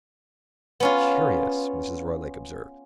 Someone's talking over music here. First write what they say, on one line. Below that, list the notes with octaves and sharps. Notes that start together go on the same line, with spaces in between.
"Curious!" Mrs. Roylake observed.
B3 C#4 F4